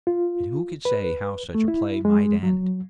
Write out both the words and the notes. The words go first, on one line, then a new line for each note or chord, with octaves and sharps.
And who could say how such a play might end?
F4
B4
A3
E4
G#3
F#3